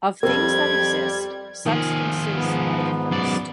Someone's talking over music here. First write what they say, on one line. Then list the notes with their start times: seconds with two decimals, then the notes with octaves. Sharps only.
Of things that exist, substances are the first.
0.23 F2 G3 C4 A#4 G#6
1.66 D#3 F3 G#4
2.33 G#2 B3
3.11 F#2 D5